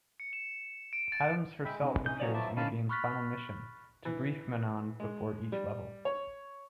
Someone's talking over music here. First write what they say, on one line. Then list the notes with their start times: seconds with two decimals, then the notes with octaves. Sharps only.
Adams herself appears in the game's final mission to brief Manon before each level.
0.20 C#7
0.33 E7
0.93 D7
1.12 A6
1.65 G#3 E5 G5 B5
1.81 C3 C4 D4 E4
2.06 E3 G#3 C#4 D#4 D#6 G6
2.20 B2 F3 F#3 F#4 C#5 D5
2.34 A3 E5 A5 B5 D6
2.57 D3 C#4 D#4 D#5 F5 G5 A5 B5
2.89 B5 C#6 F6 F#6 A6 B6
4.05 E3
5.00 G#3
5.52 G3
6.05 C#5